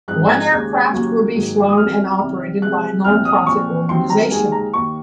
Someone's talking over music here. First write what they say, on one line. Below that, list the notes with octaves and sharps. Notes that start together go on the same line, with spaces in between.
One aircraft will be flown and operated by a non-profit organization.
G#2 F3 C4 D#4 F#6
G#6
D#2 C#3 G#3
D#2 C#3 F#3 A#3 C#4
G#2 D#3 F#3 A#3
D#6
C2 C3 F#3 C#4 F6
C2 C3 D#3
C3 F3 G#3 F#6
C2 A#2 F3 C4 F6
D#6
A#2 F3 C4 C#6
D#2 D#3 F#3 C4 C6
A#5
D#2 D#3 G#3 D#4 G#5
A#5
D#2 D#3 A#3 D#4 C#6